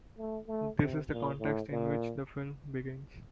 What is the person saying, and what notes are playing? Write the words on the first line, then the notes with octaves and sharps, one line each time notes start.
This is the context in which the film begins.
A3
A3
C3
A#2
A2
A#2